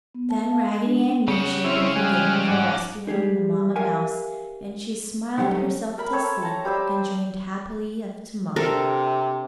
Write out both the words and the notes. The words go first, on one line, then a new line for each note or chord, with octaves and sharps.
Then Raggedy Ann knew she had been forgiven for rescuing the Mamma mouse and she smiled herself to sleep and dreamed happily of tomorrow.
B3
A5
F5
G#3
D4
C#3 G4 F#5
C4 C#4 E4 C#5 F5
G3 G#3 G#5 F6 F#6
G#2 F#5 D6
G3 G#4
G4 A#4 E5 F5 G#5
B2 D3 F#3 G3 A3
A#4 A#5 B5
C4 A4 C#5 E5
A5 A#5
G3 C5 E5 E6
C3 D4 A4 A#4